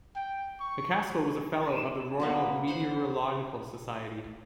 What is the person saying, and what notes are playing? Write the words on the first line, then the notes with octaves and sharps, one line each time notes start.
McCaskill was a fellow of the Royal Meteorological Society.
G5
C#6
F#3 A#3 B3
C5 F#5 B5 C6